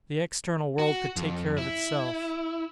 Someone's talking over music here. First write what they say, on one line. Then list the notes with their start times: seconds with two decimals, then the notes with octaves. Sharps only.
The external world could take care of itself.
0.79 F#4
1.17 F2
1.58 E4